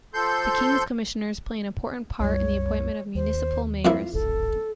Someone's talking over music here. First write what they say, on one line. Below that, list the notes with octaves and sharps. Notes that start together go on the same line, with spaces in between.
The King's Commissioners play an important part in the appointment of municipal mayors.
F3 A4 C6 G6
C2 F#2 G3 C#5
D#2 C5
F2 A#3 E4 F4
D1 G#1 A4